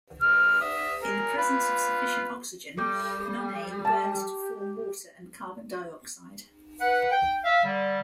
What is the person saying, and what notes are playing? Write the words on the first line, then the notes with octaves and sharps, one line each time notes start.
In the presence of sufficient oxygen, nonane burns to form water and carbon dioxide.
G#3 F6
E5 D#6
G#4 A#4
F4 B4
G3 A4 D6 G6
G4 A5
B4 F#5
G5
E5 F5
D3 G3